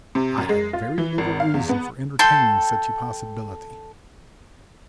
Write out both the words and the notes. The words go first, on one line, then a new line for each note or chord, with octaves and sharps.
I had very little reason for entertaining such a possibility.
C3
F#2
G#3
F4
E3
G#1
F5
E2
B3
A4 G5 C6